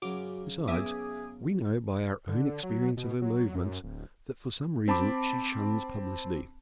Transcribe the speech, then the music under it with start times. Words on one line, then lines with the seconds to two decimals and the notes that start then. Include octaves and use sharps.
Besides, we know, by our own experience of her movements, that for some reason she shuns publicity.
0.02 F#2 C#3 F#4 D6
0.67 B3 G#4 E5 D6 D#6
2.28 D3
2.63 F#3
2.97 B2
3.22 F#3
3.56 F#2
3.84 D1
4.88 C4 A5 B5 D6